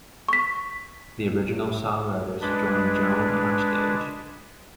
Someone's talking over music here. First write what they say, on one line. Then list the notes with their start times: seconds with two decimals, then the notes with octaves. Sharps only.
The original songwriters join Joan on stage.
0.29 C#6 B6
2.41 G#3 D4 B4